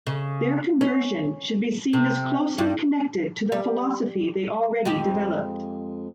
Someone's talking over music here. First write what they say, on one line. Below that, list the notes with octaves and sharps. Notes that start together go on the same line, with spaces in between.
Their conversion should be seen as closely connected to the philosophy they already developed.
C#3
C#4
C3
G2
G3
F2 G#3 G4